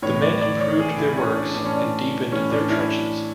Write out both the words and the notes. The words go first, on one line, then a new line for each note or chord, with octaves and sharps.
The men improved their works and deepened their trenches.
A2 E3 C#5
D5
D5
C#5
A2 E3 G#4
E4
C#4
D4
A2 E3 D4
C#4
D4
A2 E3 C#4
D4
E4